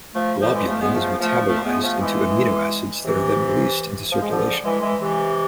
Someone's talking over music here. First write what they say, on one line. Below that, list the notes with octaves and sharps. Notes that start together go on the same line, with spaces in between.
Globulin is metabolised into amino acids that are then released into circulation.
F3 A3
D3 F3
E3 G#3
F3 A3
G#3 B3
F3 A3
F3 A3
F3 A3
G#3 B3
F3 A3
E3 G#3
C3 E3
F3
G#3
D3 F3
E3 G#3
E3 G#3
C3 E3